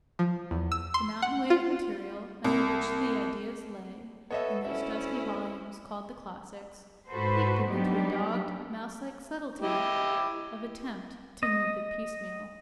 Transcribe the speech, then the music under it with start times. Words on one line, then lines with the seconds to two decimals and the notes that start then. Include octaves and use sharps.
The mountain-weight of material under which the ideas lay in those dusty volumes called the classics piqued him into a dogged, mouselike subtlety of attempt to move it piecemeal.
0.19 F3
0.51 E2
0.72 E6
0.94 C6
1.22 F#5
1.50 F4
2.44 C2
4.31 B3 A4 C#5 D#5 E5
4.65 D2 C#4 E4 E5
7.09 G#2 F#4 A4 B4 C5
7.68 F#3 G3 B3 D4 D#4 G4
9.61 E4 G4 D#5
11.43 D#5